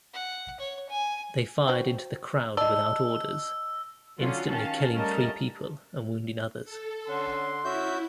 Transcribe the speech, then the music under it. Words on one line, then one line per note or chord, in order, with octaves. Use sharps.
They fired into the crowd, without orders, instantly killing three people and wounding others.
F#5
C#5
G#5
F#4 C5 G5
D5 D#5 A5 E6
D3 F#3 C#4 F4
D#3 C#4 F5 A5
G3 A3 C#4 A#4 D#5 A5
A4
D3 C#4 F#5 C6
C#4 E4 F#4 E5 G6